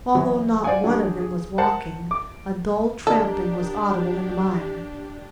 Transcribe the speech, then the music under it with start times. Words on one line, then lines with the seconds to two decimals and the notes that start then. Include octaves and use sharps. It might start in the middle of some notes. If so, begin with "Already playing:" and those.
Although not one of them was walking, a dull trampling was audible in the mire.
0.15 E3 F#3
0.64 C5 D5 F5 F#5 G#5
0.84 F#3 G#3 D4 F#4 G4
1.20 G#4
1.58 A#4 C5 F#5 A5
2.11 D6
3.07 D4 G4 A4 A#4 D5 D#5